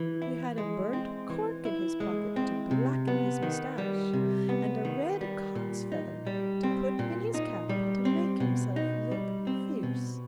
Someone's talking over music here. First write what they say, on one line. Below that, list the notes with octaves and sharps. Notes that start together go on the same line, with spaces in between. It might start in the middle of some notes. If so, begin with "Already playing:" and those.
He had a burnt cork in his pocket to blacken his moustache, and a red cock's feather to put in his cap to make himself look fierce.
Already playing: E3
E4
G#3
C4
E3
E4
G#3
C4
C3
B3
D#3
G3
C3
B3
D#3
G3
A#2
D#4
G3
C4
A#2
D#4
G3
C4
B2
D#4
G3
C4
B2